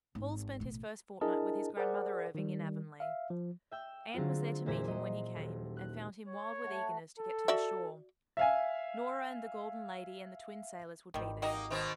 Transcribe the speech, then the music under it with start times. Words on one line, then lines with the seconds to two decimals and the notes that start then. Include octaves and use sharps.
Paul spent his first fortnight with his grandmother Irving in Avonlea. Anne was there to meet him when he came, and found him wild with eagerness to get to the shore--Nora and the Golden Lady and the Twin Sailors would be there.
0.15 G#1
0.60 A1 B2
1.21 D4 E4 G#4 A#4 D#5 A5
1.77 G#4 A#4 C5 D5 F#5
2.35 D#3 G3
3.00 E5 F5
3.30 F3
3.71 E5 G5 E6
4.14 D3 F#3 G#3 C4 F4
4.66 E1 A#2 E4 C5 B6
4.88 F#3 D#5
5.36 D#1
5.77 F#6
6.28 C#5
6.64 A3 F#4
7.18 A4
7.48 F#4 D5 E5
8.37 E5 F5 G#5
11.14 G#1 D#3 G3
11.42 A#3 D#4 F#4 G4 D#5
11.70 B2 D#3 C4